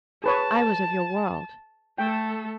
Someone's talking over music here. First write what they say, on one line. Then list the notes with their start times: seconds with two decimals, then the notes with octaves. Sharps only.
I was of your world.
0.24 G#4 B4 C#5 A5
1.98 A3 A4 G5